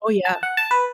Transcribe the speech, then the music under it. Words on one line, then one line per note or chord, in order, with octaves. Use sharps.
Oh, yeah.
A5
F#5
A5
B4